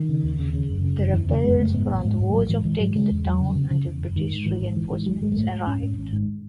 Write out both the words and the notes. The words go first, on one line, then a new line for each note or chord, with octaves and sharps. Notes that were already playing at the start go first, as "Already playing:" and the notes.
The rebels were on the verge of taking the town until British reinforcements arrived.
Already playing: D#3
C#3
D#2
C#3
C#3
F#1
C#3
F#1
D#3
E2 E3
C#3 E3
F#1 G#3
F#1 A3
G#2 B3
A1
G#2
G#2
G#3
A1 F#3
G#2 E3
G#2 E3
G#2 F#3
C#3 G#3
E2
E2 F#3
C#3
C#3
C#3
E2
F#1
G#2 D#3
G#2
G#1 E3
G#2
G#1 E3
G#2 E3
G#1 F#3
G#1 G#3
G#3
G#2 A3
G#2
G#2 C#4
G#2
G#1
G#2